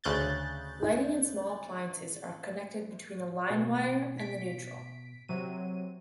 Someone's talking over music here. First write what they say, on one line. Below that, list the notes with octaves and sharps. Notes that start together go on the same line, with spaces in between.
Lighting and small appliances are connected between a line wire and the neutral.
D2 C#3 F#6 G6 A6
B2
B6 D7
C3 F#3 D#7